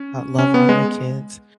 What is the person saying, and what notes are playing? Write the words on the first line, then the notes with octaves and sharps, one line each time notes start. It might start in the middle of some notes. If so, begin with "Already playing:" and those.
love on your kids.
Already playing: C#4
C#4
B3
G#3